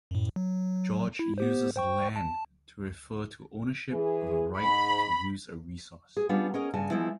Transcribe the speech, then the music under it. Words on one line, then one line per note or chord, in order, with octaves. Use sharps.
George uses "land" to refer to ownership of a right to use a resource.
F#2 A2
F#3
E4
B3 G4 C5
C5 G5 C#6
A5
E3 G#4
G#2 B5
G#4
G3 B3 C#4 D4 F4
C#4 G#4 A#4 C#5 D#5
G2 C#3 G#5 A5
E3 F3 G#3 B3 E4